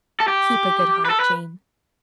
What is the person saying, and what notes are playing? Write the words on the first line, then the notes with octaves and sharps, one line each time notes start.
'Keep a good heart, Jane.
A4
G4
B4
A4
B4